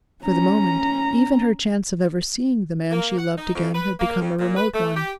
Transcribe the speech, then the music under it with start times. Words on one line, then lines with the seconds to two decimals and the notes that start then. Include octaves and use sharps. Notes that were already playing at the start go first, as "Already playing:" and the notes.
For the moment, even her chance of ever seeing the man she loved again, had become a remote one.
0.23 C#4 A#5
2.91 A#3
3.18 F#5
3.38 D#4
3.55 F2
3.74 B4
4.00 A#3
4.21 F2
4.39 A#2
4.57 B4
4.74 A3
4.96 G4